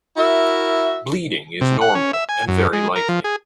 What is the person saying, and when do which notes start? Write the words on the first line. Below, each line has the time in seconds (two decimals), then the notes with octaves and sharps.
Bleeding is normal and very likely.
0.17 E4 F#4 A#4 E5
1.61 C3
1.81 F#5
1.95 C#4
2.13 E5
2.29 G#5
2.48 F#2
2.73 G#3
2.96 A#4
3.09 F3
3.24 G#4